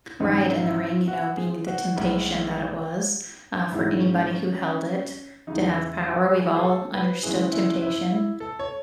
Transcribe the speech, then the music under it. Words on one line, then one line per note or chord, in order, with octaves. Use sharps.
Right, and the ring, you know, being the temptation that it was, uh, for anybody who held it to have power; we've all understood temptation.
A1 G#2 F#3 D#4
E4
F#4
G#4
F#4
B1 A2 G#3
A1 G#2 E3 G#3 E4
C#4
C#4
C#4
E2 C#3 E3 D#4
E4
F#4
G#4
G#4
A4
B4
F#1 F#2 E3 G#3 G#4
E4
E4
E4
A4
C#5